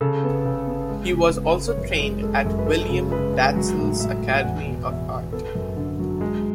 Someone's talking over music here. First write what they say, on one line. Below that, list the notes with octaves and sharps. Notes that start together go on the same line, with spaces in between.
He was also trained at William Dadson's Academy of Art.
C#3 A4
B3
C#3
B3
G#3
C#3
B3
G#3
C#5
F#2 B4
G#3
G#3 A4
F#2
B4
G#3 A4
C#3
G#3 B4
G#3
F#3
A2
A2 E5
A2
F#5
E2 G#5
B2
E2 E5
E2
B3 A4
F#2
D3
F#3
G#3